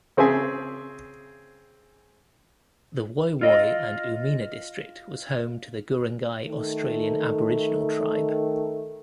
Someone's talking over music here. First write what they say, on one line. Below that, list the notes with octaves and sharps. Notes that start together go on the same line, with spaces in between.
The Woy Woy and Umina district was home to the Guringai Australian Aboriginal tribe.
C#3 C4 G#4 E5 G#5
F4 D#5
D#3 A3